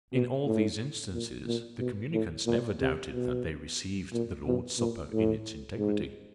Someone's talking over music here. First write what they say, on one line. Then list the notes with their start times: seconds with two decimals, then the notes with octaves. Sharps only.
In all these instances the communicants never doubted that they received the Lord's Supper in its integrity.
0.14 B2
0.46 A2
1.13 A#2
1.46 A#2
1.79 B2
2.13 A2
2.46 A#2
2.80 C3
3.13 B2
4.13 A#2
4.46 B2
4.79 A#2
5.12 A2
5.78 G#2